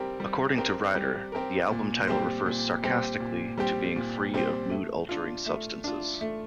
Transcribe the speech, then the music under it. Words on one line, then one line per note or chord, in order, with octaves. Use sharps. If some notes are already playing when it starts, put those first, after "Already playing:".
According to Ryder, the album title refers sarcastically to being free of mood-altering substances.
Already playing: G3 C4 G4 A#4
G3
C4 G4 A#4
G3
C4 G4 A#4
A#2
G3 C4 G4 C5
A#2
G3 C4 G4 C5
A#2
G3 C4 G4 C5
A#2
G3 C4 G4 C5
A3
D4 F4
A3
D4 F4
A3